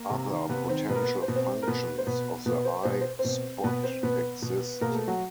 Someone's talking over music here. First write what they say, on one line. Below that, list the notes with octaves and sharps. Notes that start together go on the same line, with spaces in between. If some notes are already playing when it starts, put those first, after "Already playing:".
Other potential functions of the eye spot exist.
Already playing: A#3 A#4
C3
D#3
C3 B3 B4
D#3 C4 C5
B2 B3 B4
A#4
B3 B4
C5
B2 B4
C4 C5
A#4
B2 B3 B4
C5
B2 B3 B4
B2 B3 B4
C5
B2 C5
C5
C4 C5
B2
B2 B3 B4
C4 C5
B2 B3 B4
B2
B2 A#3 A#4
G#4
A3 A4
F#3 F#4